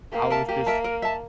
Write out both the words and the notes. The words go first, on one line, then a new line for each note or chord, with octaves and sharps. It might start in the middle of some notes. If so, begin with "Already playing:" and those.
I was just
A#3 G4
A#4 E5 A5
A#3 G4
A#4 E5 A5
A#4
E5 A5